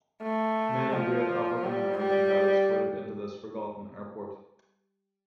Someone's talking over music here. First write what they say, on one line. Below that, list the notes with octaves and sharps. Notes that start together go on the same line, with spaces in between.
Many great African-American pilots flew into this forgotten airport.
A3
F3
G3
G3